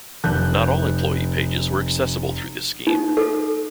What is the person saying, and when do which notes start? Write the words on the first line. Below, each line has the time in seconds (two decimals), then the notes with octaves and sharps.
Not all employee pages were accessible through this scheme.
0.24 F1 F#6 G6
2.87 D#4
3.17 A4